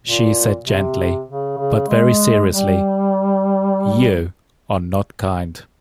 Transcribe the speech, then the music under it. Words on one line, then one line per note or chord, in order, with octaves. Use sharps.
She said gently, but very seriously, "you are not kind."
A#2
C3
C#3
C#3
G#3
G3